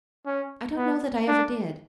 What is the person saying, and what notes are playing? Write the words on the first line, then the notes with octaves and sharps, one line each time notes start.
"I don't know that I ever did."
C#4
B3
D4